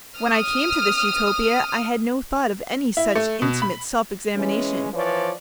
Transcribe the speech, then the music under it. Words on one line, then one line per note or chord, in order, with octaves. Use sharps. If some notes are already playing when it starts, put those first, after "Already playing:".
When I came to this Utopia I had no thought of any such intimate self-examination.
D#6 F6
E4
A3
B2
B5
E3 G#3 C#4
E3 F3 B4 C#5 D5